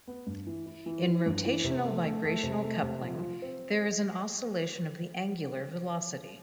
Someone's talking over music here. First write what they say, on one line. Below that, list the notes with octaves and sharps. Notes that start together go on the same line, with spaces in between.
In rotational-vibrational coupling there is an oscillation of the angular velocity.
B3
G2
E3
E4
E3
E3
G2
E3
C3
A3
A3
A3
C3
A3
C3
F3
F4
C4